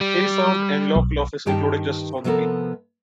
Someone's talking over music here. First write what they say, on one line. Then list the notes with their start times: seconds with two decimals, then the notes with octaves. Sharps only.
He served in local office including justice of the peace.
0.01 G3
0.96 B1
1.46 G2 D#3 G4 G5 A5
2.24 C3 F3 B3 C4 A4 A#4